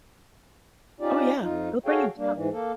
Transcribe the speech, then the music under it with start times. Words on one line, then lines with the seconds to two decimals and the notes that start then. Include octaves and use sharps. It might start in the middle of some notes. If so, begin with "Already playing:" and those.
Oh, yeah. It'll bring you down.
1.00 C#4 D#4 F4 G4 D5
1.41 F2 D#4 F4
1.86 F#4 G#4 A4 C#5 F5 G5
2.17 G3 A#3 D4
2.33 G#2 E3
2.52 A#3 A4